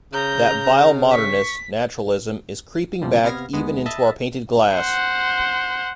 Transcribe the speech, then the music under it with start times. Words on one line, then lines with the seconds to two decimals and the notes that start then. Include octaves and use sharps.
That vile modernist, naturalism, is creeping back even into our painted glass.
0.13 C#3 A#5 G6
1.12 C#6 B6
3.01 E2 C3 F3 G3
3.24 C3 B3 F5 F6 G#6 A#6
3.53 D#2 G#3 B3
3.86 D#5 E5 A5 B5
4.75 C5 F#5